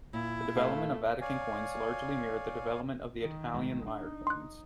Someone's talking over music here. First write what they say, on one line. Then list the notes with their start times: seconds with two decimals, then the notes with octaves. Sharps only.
The development of Vatican coins largely mirrored the development of the Italian lire coins.
0.13 A#2 E4
0.57 A3 F5
1.21 C#5 D5 F5 G#5
3.22 D#3
3.54 A1 G#3 A3
3.87 D4 D#4
4.27 C6 F#6